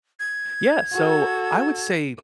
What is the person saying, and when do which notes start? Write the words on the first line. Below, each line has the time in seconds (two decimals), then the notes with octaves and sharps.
Yeah, so, I would say,
0.20 G#6
0.93 F#4 A4